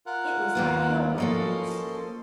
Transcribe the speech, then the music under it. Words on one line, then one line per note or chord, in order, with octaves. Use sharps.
It was like hell broke loose.
F4 A#4 F#5
D#2 A#3 B3
F3 A#3 C#4 A4 D#5 C6